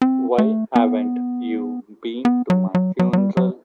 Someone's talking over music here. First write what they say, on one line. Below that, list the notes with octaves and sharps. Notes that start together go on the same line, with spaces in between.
Why haven't you been to my funeral?
C4
A3
B3
B3
F#3
F#3
F#3
F#3
G3
F#3